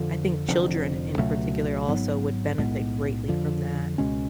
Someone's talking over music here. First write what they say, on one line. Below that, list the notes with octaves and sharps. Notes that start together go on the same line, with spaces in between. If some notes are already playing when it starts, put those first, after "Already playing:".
I think children in particular also would benefit greatly from that,
Already playing: F2 D3 F3
F1 F2 D3
C#2 B2 F#3 A3
G#1 G#2 F#3 B3
B1 A2 G#3 B3
F2 D3 F3
C#2 B2 G#3 C#4